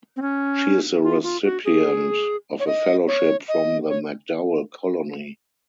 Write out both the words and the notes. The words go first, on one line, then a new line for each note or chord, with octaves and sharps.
She is the recipient of a fellowship from the MacDowell Colony.
C4
C#4
F4
F4
F#4
G#4
C#5
D#5
C#5
D#5
C#5